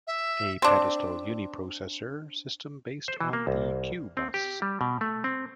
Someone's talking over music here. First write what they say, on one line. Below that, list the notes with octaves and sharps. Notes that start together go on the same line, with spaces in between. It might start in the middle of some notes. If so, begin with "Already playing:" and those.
A pedestal uniprocessor system based on the Q-Bus.
E5
C4 D4
C5
E3
A#3
C2
C4
G4
G3
B2
A3
C4